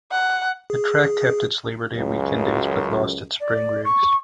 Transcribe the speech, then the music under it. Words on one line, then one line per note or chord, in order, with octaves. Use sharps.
The track kept its Labor Day weekend dates but lost its spring race.
F#5
G#4
C#2 F#2
D5
C#6